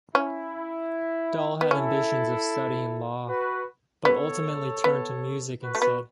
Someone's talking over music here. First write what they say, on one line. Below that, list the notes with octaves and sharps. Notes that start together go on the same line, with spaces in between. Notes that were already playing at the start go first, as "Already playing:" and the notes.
Dall had ambitions of studying law, but ultimately turned to music instead.
C#4 E4
B3
C#4 E4 A4
F#4 B4
B3 A4 C#5
B3
F#4 B4
A3
B3